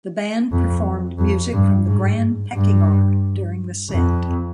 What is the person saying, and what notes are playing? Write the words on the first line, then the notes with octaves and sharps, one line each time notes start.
The band performed music from "The Grand Pecking Order" during the set.
F2
F2
G2
G#2
G2
F2